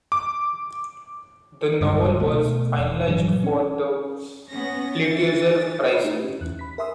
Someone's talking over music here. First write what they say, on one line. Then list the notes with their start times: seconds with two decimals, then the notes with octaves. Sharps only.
The novel was a finalist for the Pulitzer Prize.
0.12 D6
1.81 D1 C#2 G2
2.20 B2 A3
2.78 E1
3.08 G2 A#2 E3 F#3
3.44 C#4
4.50 B3 C#4 A#6
4.95 E3 A6
5.92 C#5 A#5 B5
6.04 A3 D#4 E4 G4
6.23 C#4
6.41 E2 F#6
6.59 B5 B6
6.78 A#4 E5 G#5 C6 D#6 E6